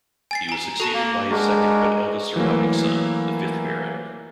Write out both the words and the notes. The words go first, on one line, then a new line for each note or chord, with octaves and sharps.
He was succeeded by his second but eldest surviving son, the fifth Baron.
G#5 A6 C7
G#5 A#5
F#4 A4 A5 A#5
A#3
G#3 D4 F#4 A#4
E3 F#3 A3 A#3